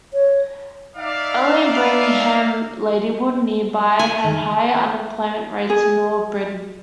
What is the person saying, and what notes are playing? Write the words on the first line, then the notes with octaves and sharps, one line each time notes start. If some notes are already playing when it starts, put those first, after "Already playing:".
Only Birmingham, Ladywood nearby had higher unemployment rates in all of Britain.
C#5
D#4 D5 E5 F5
G#5
D#3
G#4